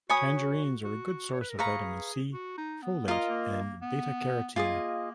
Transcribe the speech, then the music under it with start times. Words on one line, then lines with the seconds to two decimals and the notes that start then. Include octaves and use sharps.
Tangerines are a good source of vitamin C, folate, and beta-carotene.
0.09 F#4 C#5 G#5 B5 D#6
0.84 F#4
1.33 C#5
1.41 B4
1.50 A#4
1.58 G#4 B4 F5 A#5 C#6
2.33 F#4
2.58 D#4
2.83 B3
3.07 A#3 F4 A#4 D#5
3.29 A#3
3.82 B3
4.56 A#3 F4 G#4 D#5